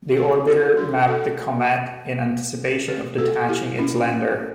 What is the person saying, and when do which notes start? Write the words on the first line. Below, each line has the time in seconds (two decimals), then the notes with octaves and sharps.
The orbiter mapped the comet in anticipation of detaching its lander.
0.17 F#4 A4
0.47 E4 G4
0.77 D4 F#4
1.07 F#4 A4
2.88 G4 B4
3.18 F#4 A4
3.48 E4 G4
3.79 C#4 E4